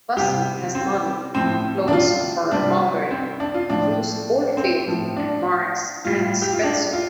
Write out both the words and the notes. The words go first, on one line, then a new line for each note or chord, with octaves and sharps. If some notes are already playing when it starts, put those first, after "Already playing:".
Bussell has modelled clothes for Mulberry, Bruce Oldfield and Marks and Spencer.
C3 G3 G4
C4
A2 F3 C4
D4
F4
C3 G3 D4
C4
D4
F4
A2 F3 D4
C4
A2 F3
D4
A2 G3 F4
G4
F4
D4
F4